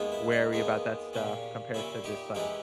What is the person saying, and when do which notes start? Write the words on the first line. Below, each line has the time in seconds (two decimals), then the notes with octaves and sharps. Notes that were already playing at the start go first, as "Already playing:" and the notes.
wary about that stuff compared to just, like
Already playing: D#2 D#3 G#3 B3
0.12 E4
0.32 D#4
0.53 D#2 D#3 G#3 B3
1.13 A#2 G3 C#4
1.74 A#2 G3 C#4 E4
2.04 D#4 G4
2.35 E3 G#3 C#4 D#4 G4